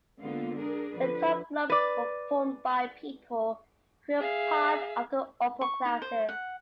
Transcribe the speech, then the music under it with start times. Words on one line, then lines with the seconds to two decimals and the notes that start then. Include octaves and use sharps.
The top clubs were formed by people who were part of the upper classes.
0.19 D3 G#3 A#3 B3 F4
0.57 D4 G#4 A#4
0.94 D3 F3 B4
1.70 B4 D5
4.20 G#4 E5 F5
5.61 C#6
5.85 D#4
6.02 C5
6.29 F#5